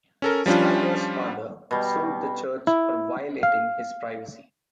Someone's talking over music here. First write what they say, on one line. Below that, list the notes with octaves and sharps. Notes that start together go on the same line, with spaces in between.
Snyder's father sued the church for violating his privacy.
C#4 A4 A#4
F3 G3 C#4 D4 F4
B2 G3
E4
F5